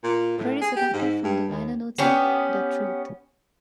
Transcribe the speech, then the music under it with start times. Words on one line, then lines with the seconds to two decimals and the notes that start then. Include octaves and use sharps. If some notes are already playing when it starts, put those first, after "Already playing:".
Credits adapted from the liner notes of "The Truth".
0.04 A#2
0.38 A2
0.61 G#4
0.76 G4
0.93 G#2
1.24 G2
1.49 D#2
1.98 B3 C#4 G4